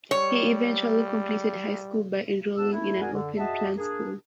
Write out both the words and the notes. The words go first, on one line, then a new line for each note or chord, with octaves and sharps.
He eventually completed high school by enrolling in an open plan school.
G3 C#5
D2 B3 D4 E6
A3 E4
F#4 G#4 A#4 D5 G#5
D3
F#4 G#4 D#5 E5 A5
A#3 D4 G#4